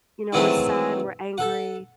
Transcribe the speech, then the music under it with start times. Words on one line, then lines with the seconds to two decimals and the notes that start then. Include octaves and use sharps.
you know, we're sad, we're angry.
0.33 D#3 E3 F#3 G#3 A3 C4
1.38 A4 F#5